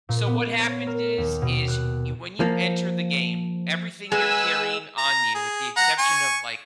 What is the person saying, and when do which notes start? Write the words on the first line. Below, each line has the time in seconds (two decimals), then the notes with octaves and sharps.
So, what happens is, is you when you enter the game, everything you're carrying on you, with the exception of, like,
0.09 A#2
0.26 B3
0.59 C#5
0.87 A#4
1.18 D#2
1.42 B2
1.68 F#6
2.40 F3 A#3
4.12 G#3 B4 F#5 G#5 E6
4.98 A#5
5.35 G#4
5.77 F#5 A#5
5.98 G#5 C#6